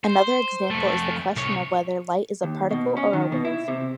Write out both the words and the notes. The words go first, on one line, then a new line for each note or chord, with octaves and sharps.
Another example is the question of whether light is a particle or a wave.
C5
F2 A3
C2 C#5
D#2
B2
C#4
D#3
B2
E4
C3